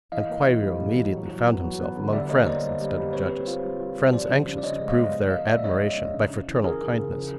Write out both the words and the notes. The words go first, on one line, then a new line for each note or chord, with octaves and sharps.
And Kwairyo immediately found himself among friends instead of judges,--friends anxious to prove their admiration by fraternal kindness.
E3 D#5 F5
A#3
E3
G3
A2
E3
F#3
F#3
B3
F#3
B3
D3
G3 D5 E5
A#3 C#5 D#5
A#3 C5 D5
G3
G3
G3
C4 B4 C#5
C4
F4
G3
F4
G3
F3 C5 D5
C#3
C#3
D5
C#3 C#5 D#5
G#3
D#5 F5
B3
F3
F3 D#5 F5
G#3 D5 E5
C#4 C#5 D#5
G#3
C#4
C#3
C#3
E3
C#3 G#4 A#4
C#3
C#3
F3